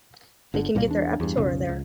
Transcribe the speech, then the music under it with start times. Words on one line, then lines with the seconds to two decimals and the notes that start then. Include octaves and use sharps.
They can get their Abitur there.
0.54 G1 D3
0.75 C2 A#2 G3 A#3
0.88 E2 D4
1.20 E2 G2
1.37 B1 F2 C#3
1.69 C#2